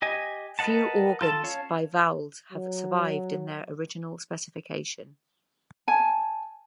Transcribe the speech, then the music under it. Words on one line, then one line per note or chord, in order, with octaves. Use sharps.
Few organs by Vowles have survived in their original specification.
G4 D#5 G#5
A#4 B4 D#5 F#5 A5
F4 A4 A5
C#4 C#5 F5 A5
F#3
G#5 A5